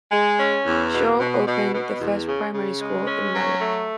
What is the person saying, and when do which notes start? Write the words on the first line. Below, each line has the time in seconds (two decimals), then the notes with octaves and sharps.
Shaw opened the first primary school in Malek.
0.11 G#3
0.38 C#4
0.65 E2
0.92 B2
1.18 B2
1.46 B2
1.73 B2
2.00 E2
2.26 C#3
2.53 C#3
2.80 G#3
3.07 C#4
3.34 F#3
3.61 A3